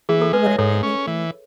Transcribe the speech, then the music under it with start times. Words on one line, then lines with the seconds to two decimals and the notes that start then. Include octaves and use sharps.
you know, whatever it may be.
0.09 E3 G#4
0.21 A4
0.33 G#3 B4
0.46 C#5 E5
0.58 G#2 A4 C#5
0.83 C#4
1.07 E3